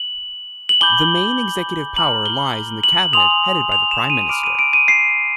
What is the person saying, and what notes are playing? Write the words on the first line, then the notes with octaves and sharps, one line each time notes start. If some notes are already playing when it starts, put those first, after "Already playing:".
The main executive power lies in the cabinet headed by the prime minister.
Already playing: F#7
F#7
G#5 B5 D6 G6 G7
A#5 D6 F6 F#7
G7
F#7
G#5 C6 D#6 F7
F7
E7
D#7
B5 D6 F6 D7
D#7
D7
D#7
C7